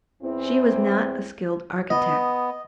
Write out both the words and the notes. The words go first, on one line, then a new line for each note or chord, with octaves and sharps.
She was not a skilled architect.
E2 E3 C4
B3 D#5